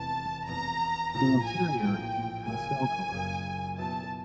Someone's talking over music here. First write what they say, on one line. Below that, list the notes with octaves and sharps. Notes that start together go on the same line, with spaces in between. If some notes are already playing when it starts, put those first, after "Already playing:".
The interior is in pastel colours.
Already playing: F1 E2 C3 E3 A5
F1 E2 C3 E3 A#5
A#1 A2 F3 A#5
G#5
A#1 A2 F3 G5
F#1 F#2 C#3 F#3 A#3 G#5
F#1 F#2 C#3 F#3 A#3
B2 F#3 B3 E4 A5